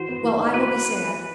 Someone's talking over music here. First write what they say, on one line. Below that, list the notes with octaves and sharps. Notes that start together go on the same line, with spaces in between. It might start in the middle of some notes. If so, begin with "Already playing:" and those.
"Well, I will be sad."
Already playing: E3 F#4 C5
B3
E3
D#4
F#4 B4